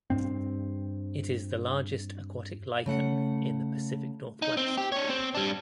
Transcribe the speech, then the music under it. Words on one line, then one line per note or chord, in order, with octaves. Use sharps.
It is the largest aquatic lichen in the Pacific Northwest.
G2 C4
C#3 A3 F#5
D#4
C4
G4
D4 C#5
C4
G3 D4